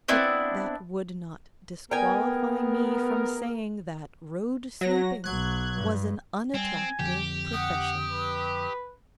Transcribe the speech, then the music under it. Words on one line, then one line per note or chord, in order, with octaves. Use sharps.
But that would not disqualify me from saying that road- sweeping was an unattractive profession.
B3 C4 D4 E4
A3 B3 G#4 A#4 G5 G#5
F#3 A#6
B1 F#3 F#6 G#6
G2
G3 C4 G#5
F2 D3 F3 G4
F#5 D#6
B4